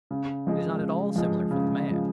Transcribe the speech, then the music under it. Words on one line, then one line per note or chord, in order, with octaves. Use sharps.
It is not at all similar for the man.
C#3
F3 G#3
C#3
F3 G#3
C#3
F3 G#3